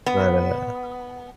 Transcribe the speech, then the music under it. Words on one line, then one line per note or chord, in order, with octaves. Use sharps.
But, uh,
B3